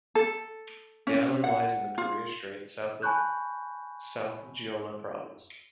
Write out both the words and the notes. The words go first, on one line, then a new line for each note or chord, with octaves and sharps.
The island lies in the Korea Strait, south of South Jeolla Province.
A4
C#4
F#5
F4
G#5 A5 B5 C#6 F#6 G6